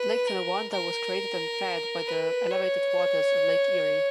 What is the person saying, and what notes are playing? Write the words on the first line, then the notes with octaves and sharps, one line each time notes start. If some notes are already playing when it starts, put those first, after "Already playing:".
Lake Tonawanda was created and fed by the elevated waters of Lake Erie.
Already playing: B4
A#4
A#4
B4
C#5